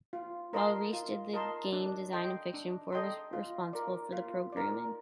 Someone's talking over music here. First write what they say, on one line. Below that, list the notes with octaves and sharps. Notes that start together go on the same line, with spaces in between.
While Reiche did the game design and fiction, Ford was responsible for the programming.
F4
A#4 D#5 A5 C6
F4
A#4 D#5 A5 C6
D4
A4 D#5 G5 C6
D4
A4 D#5 G5 C6
F4
A#4 D5
F4
A#4 D5